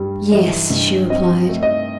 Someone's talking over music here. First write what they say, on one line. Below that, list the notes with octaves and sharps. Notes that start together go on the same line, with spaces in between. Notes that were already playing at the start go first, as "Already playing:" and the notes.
"Yes!" she replied.
Already playing: G2 G3
E3 D#5
G2
C4 D#5
A3
D#5